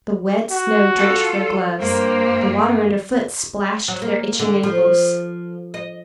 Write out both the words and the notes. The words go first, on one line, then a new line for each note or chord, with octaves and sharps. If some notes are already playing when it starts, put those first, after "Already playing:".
The wet snow drenched their gloves; the water underfoot splashed their itching ankles.
F#4
F4 A4
G2 A#3 C5
F#3
A#3
D3
F3
D#5